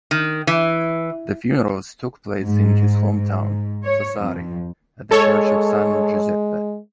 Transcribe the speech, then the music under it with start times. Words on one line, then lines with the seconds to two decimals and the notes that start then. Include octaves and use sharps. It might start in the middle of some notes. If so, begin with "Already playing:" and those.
The funerals took place in his hometown, Sassari, at the Church of San Giuseppe.
0.11 D#3
0.47 E3
2.44 G#2
3.16 G#2
3.84 C#5
4.21 F2
5.11 G#3 A4 C#5